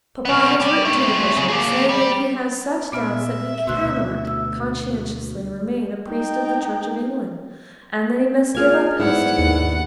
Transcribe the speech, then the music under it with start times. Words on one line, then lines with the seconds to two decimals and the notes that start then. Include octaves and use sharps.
Papa has written to the bishop, saying that he has such doubts that he cannot conscientiously remain a priest of the Church of England, and that he must give up Helstone.
0.25 B3 C#4
0.60 G4 D5
0.85 A3 C4
1.37 C#3 F#3
1.49 A#3 G#4
1.89 G3
2.92 A#2 B3 E5 F6
3.67 D2 B2 C6 E6 F#6
4.27 E6
6.09 D#4 G5
8.55 A#3 F4 G#4 F6 G#6
9.00 G#2 B3 D4 E4 F#5
9.38 D#2